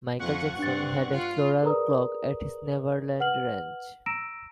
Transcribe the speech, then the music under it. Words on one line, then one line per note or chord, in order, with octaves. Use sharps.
Michael Jackson had a floral clock at his Neverland Ranch.
F2 F3 F#5 C#6
G2 C4 D4 A6
F4
G#4 A#4 B4 D5 A#5 D#6
B4 F#5 F6 F#7
A#5 E6 A#6 D7 E7